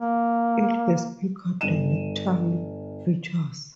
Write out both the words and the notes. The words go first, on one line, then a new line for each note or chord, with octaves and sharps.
It has Picard dialectal features.
A#3
G1 D#7 E7